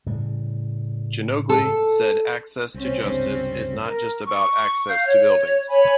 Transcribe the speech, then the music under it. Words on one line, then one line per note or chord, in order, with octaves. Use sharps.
Djanogly said Access to justice is not just about access to buildings.
A2 C#3 G3
A4
C2 C4 C#4
C#2 G2 C3
A#4
C#6
F5 G6
C#5
C#5 G#5 B5